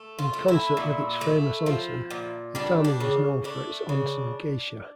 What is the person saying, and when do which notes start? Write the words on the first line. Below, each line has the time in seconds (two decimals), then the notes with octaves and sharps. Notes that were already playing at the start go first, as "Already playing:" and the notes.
In concert with its famous onsen, Atami was known for its onsen geisha.
Already playing: A3
0.19 F4
0.33 A3
0.48 E4
0.77 A#2
1.21 A3
1.66 F3
2.10 A#2
2.55 G3 D4
2.84 D4
3.00 C#3
3.44 A3 D4
3.89 C#3